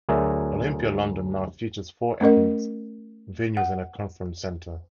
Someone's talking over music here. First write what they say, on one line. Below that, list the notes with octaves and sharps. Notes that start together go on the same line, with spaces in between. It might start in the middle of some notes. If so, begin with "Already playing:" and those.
Olympia London now features four event venues and a conference centre.
D2 F#3 G#4 A#4 D5 E5
A3 C#4 A#4 D#5
F#5